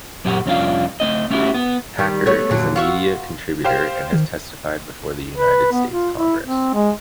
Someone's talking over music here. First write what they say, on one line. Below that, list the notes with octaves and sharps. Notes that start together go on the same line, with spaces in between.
Hacker is a media contributor and has testified before the United States Congress.
F#2 A#2 F#3 G4 F#5
C2 F2 C#4 D4 F4 F5
A3 C4 D#5
A3 C#4 D4 E4 F#4 G4
B3
D#3 G3
A3 B3 C#5
A#2 D3 F#3
F4 F#4 E5
G4 C5 F5
D#3
B4
B3
F4
E4
C4
G#3